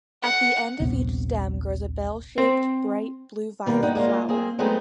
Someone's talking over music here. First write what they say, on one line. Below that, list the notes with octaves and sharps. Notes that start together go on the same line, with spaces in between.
At the end of each stem grows a bell-shaped bright blue-violet flower.
F#5
D#1 A#1 C3 B3
C4
B2 D#3 A#3
G3 D#4 F#5
G#3 A#3 C#4 F4
A#3 C4 G#4
F#3 G#3 A3 B3 C4 D#4